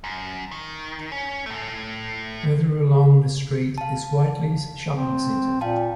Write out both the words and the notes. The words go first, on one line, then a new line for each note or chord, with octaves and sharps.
Further north along the street is Whiteleys shopping centre.
F#2
D#3
C#4
A2 A3
F5 A5
C4
A#2 F5 G5 A5